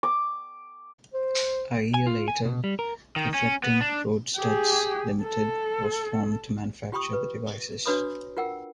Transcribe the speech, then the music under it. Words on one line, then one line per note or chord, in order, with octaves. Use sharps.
A year later, Reflecting Roadstuds Limited was formed to manufacture the devices.
D6
C5
G#5
F4
G#5
B2
G3
A#4
D#3
C#4
B3
D4
G4 G#4
A4
F4 G4 G5 B5 C#6 D#6
B4
D4 F#4 B4 C#5 B5 D#6
F4 A#4 F#5 G5 E6